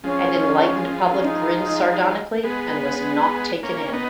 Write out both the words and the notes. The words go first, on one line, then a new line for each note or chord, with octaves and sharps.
An enlightened public grinned sardonically, and was not taken in.
F3 G#3 C#4
C#4
D#4
G#3 B3
A#3 C#4
C#4
B3 D#4